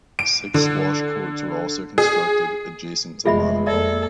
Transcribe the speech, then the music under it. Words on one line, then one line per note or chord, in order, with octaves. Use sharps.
Six squash courts were also constructed, adjacent to Mather Hall.
D7
D3
G#4
F1 F3 G#3 F4 E5 B5
F2 A#3 A4 D5 E5